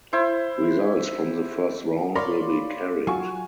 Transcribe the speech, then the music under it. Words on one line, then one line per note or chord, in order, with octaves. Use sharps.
Results from the first round will be carried.
E4 C5
A#4 C#5 D5 F5 B5 C6
F#3 F4 G#5 C#6